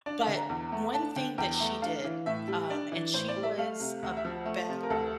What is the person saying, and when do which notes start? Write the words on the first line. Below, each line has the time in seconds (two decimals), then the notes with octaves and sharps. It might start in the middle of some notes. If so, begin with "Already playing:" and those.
but one thing that she did, um, and she was about
0.06 D4 D5
0.21 E5
0.28 D3
0.36 A#5
0.50 E2
0.72 A3
0.94 D4 A5
1.16 D3 G5
1.38 E2 G5
1.60 A3
1.82 D4 F5
2.04 E3
2.26 A2 E5
2.48 G3
2.70 D4 D5
2.92 E3
3.14 A2 C5
3.29 D5
3.36 G3
3.43 E5
3.58 A3 F5
3.80 C3
4.03 D2
4.17 E5
4.25 F3
4.45 A3
4.69 C3
4.83 A#4
4.90 D2 A4